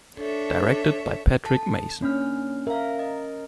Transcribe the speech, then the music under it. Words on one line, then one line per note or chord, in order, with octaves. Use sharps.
Directed by Patrick Mason.
D4 A4 C#5 E5
A4 A5
A#3 C#4 D4 F6
A#4 E5 F5
D#5